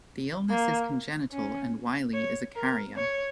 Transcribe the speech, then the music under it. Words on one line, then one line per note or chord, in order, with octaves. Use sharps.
The illness is congenital and Whiley is a carrier.
A#3
C#4
C#5
A#4
C#5